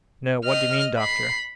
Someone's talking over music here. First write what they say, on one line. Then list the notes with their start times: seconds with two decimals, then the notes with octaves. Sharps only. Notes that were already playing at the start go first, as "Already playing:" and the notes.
"No! what do you mean, doctor?"
0.45 D#5 F6
0.98 B5 C7